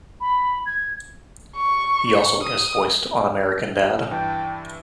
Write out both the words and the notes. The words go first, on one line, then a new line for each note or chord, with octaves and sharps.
He also guest-voiced on American Dad!
B5
G#6
C#6
D#6
G2 E3 G5 A5